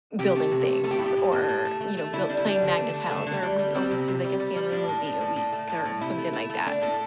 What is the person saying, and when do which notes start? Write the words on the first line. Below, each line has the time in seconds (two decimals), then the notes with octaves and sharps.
building things or, you know, built playing MAGNA-TILES, or we always do, like, a family movie a week or something like that.
0.19 C3 G4
0.35 A3
0.52 C3
0.67 A3
0.84 A3 A4
0.91 G4
0.98 A2 E4
1.06 G4
1.16 A2
1.32 A2
1.49 A2
1.65 A3
1.81 A3
1.97 A3
2.13 D3 E4
2.29 G3 D4
2.37 E4
2.46 G3 D4
2.62 D3
2.78 A3
2.94 A3
3.10 D3 A3
3.27 D3
3.43 G3
3.59 G3
3.75 G3 C4
3.91 C3
4.08 C3
4.24 G3
4.40 G3
4.56 G3
4.72 A2 D4
4.88 A2
5.04 A2
5.21 A2
5.36 A2
5.52 A3
5.69 A2
5.85 A2
6.01 C3 E4
6.18 A3
6.33 A3
6.50 A3
6.66 A3 D4
6.82 A2 A4